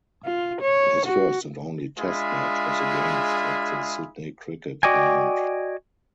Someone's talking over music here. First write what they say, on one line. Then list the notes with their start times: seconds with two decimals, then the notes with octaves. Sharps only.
His first and only test match was against at the Sydney Cricket Ground.
0.25 F4
0.61 C#5
1.06 F#4
1.98 G#3 D4 F4 G#4 E5 B5
4.83 F#4 D5 D#5 G5 G#5